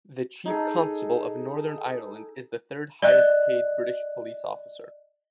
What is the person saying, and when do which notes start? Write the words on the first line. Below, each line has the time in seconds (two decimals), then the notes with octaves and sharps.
The Chief Constable of Northern Ireland is the third-highest paid British police officer.
0.45 D#4 G#4 A4
3.02 D5 D#5 F#6